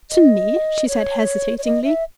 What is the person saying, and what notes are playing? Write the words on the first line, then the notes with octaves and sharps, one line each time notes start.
"To me?" she said, hesitatingly.
D#5
C#5
C#5
D#5
E5